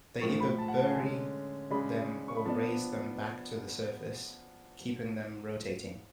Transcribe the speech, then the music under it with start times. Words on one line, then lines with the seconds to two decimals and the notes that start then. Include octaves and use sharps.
They either bury them or raise them back to the surface, keeping them rotating.
0.21 A2 F3 G#3 C#6
0.40 B5
0.58 A5
0.68 F#5
0.78 A5
0.87 G#5
0.96 D3 G#3 C#4
1.70 C#3 G#3 D4 B5
2.28 C#6
2.37 B5
2.45 F3 B3 D4 A5